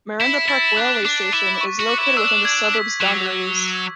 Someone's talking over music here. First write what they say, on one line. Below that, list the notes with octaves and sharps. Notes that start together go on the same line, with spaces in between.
Merinda Park railway station is located within the suburb's boundaries.
E4 B6
B6
E4 A6
D4 F#6
D4 D6
E4 D6
D6
C#6
F#4
D6
E4
D4 E6
G#6
B6
F#3